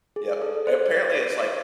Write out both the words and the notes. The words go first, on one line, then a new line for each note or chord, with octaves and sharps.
Yep. And apparently, it's like
G#4
A4
C5